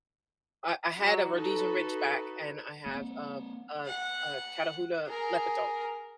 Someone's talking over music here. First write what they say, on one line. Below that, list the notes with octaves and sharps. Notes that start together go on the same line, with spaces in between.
I I had a Rhodesian Ridgeback, and I have uh uh uh, Catahoula Leopard dog.
F#3
D#4 F#4 A4 B4
A#3 C4
F#5
G#4 A#4